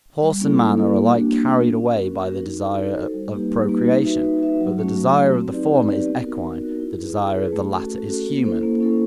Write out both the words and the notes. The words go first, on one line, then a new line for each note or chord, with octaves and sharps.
Horse and man are alike carried away by the desire of procreation; but the desire of the former is equine, the desire of the latter is human.
G3
A#3 C#4 E4 A4
G3
A#3 C#4 E4 A4
A#3
D4 F#4
A#3
D4 F#4
C#4
F#4 A#4
C#4
F#4 A#4
D#4
F#4 A4 C5
D#4
F#4 A4 C5
G3
A#3 D#4 G4 B4
G3
A#3 D#4 G4 B4
D#4
F#4 B4 E5
D#4
F#4 B4 E5
F#3
A3 C#4 F#4
F#3
A3 C#4 F#4
C4
D#4 G4 B4 D5
C4
D#4 G4 B4 D5
B3
D#4 F#4 A#4
B3
D#4 F#4 A#4
E4
G#4 B4
E4
G#4 B4
A3
C#4 F#4 A4
A3
C#4 F#4 A4
A#3
C#4 E4 A4 C5
A#3
C#4 E4 A4 C5